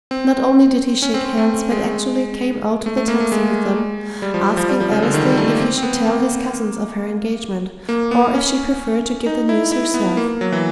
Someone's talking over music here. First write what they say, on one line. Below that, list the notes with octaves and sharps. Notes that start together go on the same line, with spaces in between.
Not only did he shake hands, but actually came out to the taxi with them, asking Annesley if he should tell his cousins of her engagement, or if she preferred to give the news herself?
C4
C#4
C4
C4
A3
G#3
A3
A3
A#3
A3
G#3
G3
F3
F3
G3
F3
C#3
D3
D#3
G3
A3
A#3
C4
C4
B3
A#3
A#3
B3
C#4
D#4
E4
E4
B3
A#3
A#3
F#3
E3